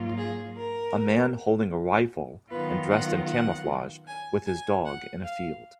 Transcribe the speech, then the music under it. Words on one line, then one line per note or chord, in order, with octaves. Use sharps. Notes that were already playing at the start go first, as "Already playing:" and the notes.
A man holding a rifle and dressed in camouflage with his dog in a field.
Already playing: G#2 F#3 A#3 F4
G#4
A#4
D#3 F#3 B3 F4 B4
F#5
F#5
G#5
G#5
F#5
F5